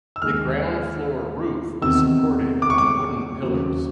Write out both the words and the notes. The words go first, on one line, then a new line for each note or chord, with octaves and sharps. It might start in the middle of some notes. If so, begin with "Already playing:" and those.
The ground floor roof is supported on wooden pillars.
E6
D#2 D#3 G#3 F6
E2 C3 D#3 E6
D6
C#6
D6
D#2 C#3 F#3